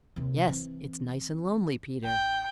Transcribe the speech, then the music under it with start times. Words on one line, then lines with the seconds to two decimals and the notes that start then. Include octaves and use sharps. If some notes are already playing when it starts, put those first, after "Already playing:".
"Yes; it's nice and lonely, Peter."
0.16 D#2 C3
0.48 E3 C4
2.05 A1 G5